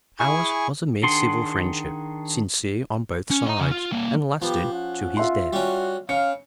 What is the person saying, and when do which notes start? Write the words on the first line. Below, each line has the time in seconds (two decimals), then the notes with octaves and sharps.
Ours was a mere civil friendship, sincere on both sides, and lasted to his death.
0.19 E4 G#4 G#5 C#6
1.03 D#3 D4 G#4 F#5 C6
3.31 C#4
3.48 D#5 A#5
3.60 C#3 C#4
3.72 F4 F5
3.92 G3 A#3
4.42 F3 B3 G4
4.72 C#4 F#5
5.17 F4 E5 C6
5.53 G3 C#4 F#4
6.09 C#3 F5 C#7